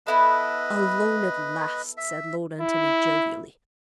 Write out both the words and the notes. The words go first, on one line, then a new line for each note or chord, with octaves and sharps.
"Alone, at last!" said Lord Antony, jovially.
B3 E4 A4 B4 D#5
E5
E4